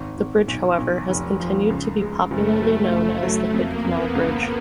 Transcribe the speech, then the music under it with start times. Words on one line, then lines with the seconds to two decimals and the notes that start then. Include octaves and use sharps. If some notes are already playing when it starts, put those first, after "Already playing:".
The bridge, however, has continued to be popularly known as the Hood Canal Bridge.
Already playing: G#1
0.18 G#1
0.48 B1
0.78 B1
1.09 F1
1.40 F3
1.70 C#2
2.01 G#3
2.31 F#1 A3
2.62 F#3
2.92 F#1
3.23 F#3
3.53 F2 A#3
3.84 F2 B3
4.15 C#2